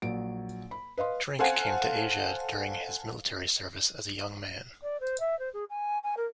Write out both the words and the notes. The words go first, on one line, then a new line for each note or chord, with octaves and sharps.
Trink came to Asia during his military service as a young man.
A#1 F#3 D7
B5
B4 D#5 F5 C6
A4 C5 F5 F#5 G#5
D5
C5
E5
C5
G#4
G#5
G#5
A#4